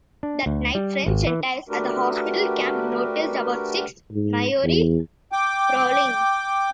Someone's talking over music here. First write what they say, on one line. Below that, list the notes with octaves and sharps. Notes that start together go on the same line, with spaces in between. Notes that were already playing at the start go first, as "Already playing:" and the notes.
That night French sentries at the hospital camp noticed about six Maori prowling.
D4
D2
G3
G#1
E3
A3 D4 F#4 G4 A#4 B4
G#2
E2
G5 D6